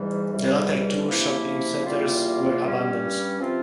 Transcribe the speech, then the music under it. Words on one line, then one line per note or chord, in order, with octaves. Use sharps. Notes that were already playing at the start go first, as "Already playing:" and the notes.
The latter two shopping centres were abandoned.
Already playing: G#2 E3 G3
C#2 C3 E3 G3
C3 F3 A#3 E4
E2 E3 G3 A#3 F4
G2 G3 C#4
C3 F3 C4 F4